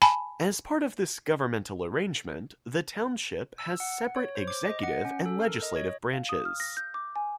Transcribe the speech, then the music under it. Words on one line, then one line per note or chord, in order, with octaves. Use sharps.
As part of this governmental arrangement, the Township has separate executive and legislative branches.
G#5 A5 B5
E6
F#5
C#5
C5
D6
D#5
F#5
C#4
A4
A#4
D#5
C#5
F5
D#6
F6
A#6
G6
D6
G#5